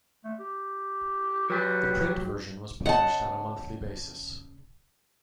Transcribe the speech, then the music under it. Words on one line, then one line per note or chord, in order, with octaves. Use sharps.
The print version was published on a monthly basis.
A3
G4
F#3 G4 B4
C#3 D#5 F#5 A5